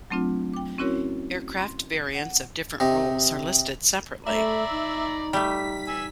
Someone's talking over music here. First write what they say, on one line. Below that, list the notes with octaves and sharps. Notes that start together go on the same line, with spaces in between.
Aircraft variants of different roles are listed separately.
F#3 A3 C4 D4 F4
G5 D6
C4 C#4 E4 F#4 A#4 C#5
C6
F#5
C3 D#4
A3 D5 E5 A#5 B5
D#4
G3 A3 B6
G#5 E6